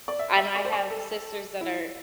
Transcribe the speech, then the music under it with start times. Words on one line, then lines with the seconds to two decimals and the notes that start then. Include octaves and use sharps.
and I have sisters that are
0.08 D5
0.19 E5
0.37 E5
0.56 D5
0.65 C5
0.73 D5
0.90 A4
1.61 E4